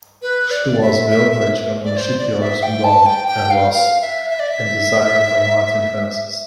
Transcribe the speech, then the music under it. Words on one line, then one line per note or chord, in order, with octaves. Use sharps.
She was built by German shipyards Blohm and Voss and designed by Martin Francis.
B4
D5
E5
E5
E5
D5
C5
D5
E5
G5
A5
G5
G5
F5
F5
E5
E5
D5
E5